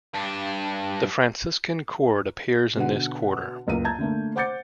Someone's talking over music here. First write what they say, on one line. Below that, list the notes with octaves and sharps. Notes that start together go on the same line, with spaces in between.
The Franciscan cord appears in this quarter.
G2 D4
B2 D3 F#5
F#1 C#2 A#3 D#7
A5 A#5 G6 G#6
D3 A3 A#3
C5 F#5 D6 G6 A6 C#7